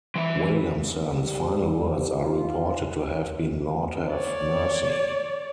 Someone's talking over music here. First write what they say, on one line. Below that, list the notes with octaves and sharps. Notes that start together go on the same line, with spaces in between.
Williamson's final words are reported to have been "Lord have mercy".
E3 E5
G3
G3
F4
C#5 D5